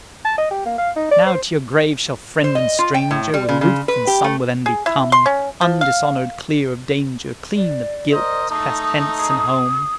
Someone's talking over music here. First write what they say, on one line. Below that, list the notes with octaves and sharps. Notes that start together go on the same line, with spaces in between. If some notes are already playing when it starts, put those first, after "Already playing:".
Now to your grave shall friend and stranger With ruth and some with envy come: Undishonoured, clear of danger, Clean of guilt, pass hence and home.
A5
D#5
G4
A#3
F5
D#4
D5
C5
C5
D#5
F4
G5
A2
G3
C#3
C#3
B4
G4
A3
G#4
E4
C6
C#4
F3
F5
D5
A#4 C5 D#5
A3 D#4 D#6
D#6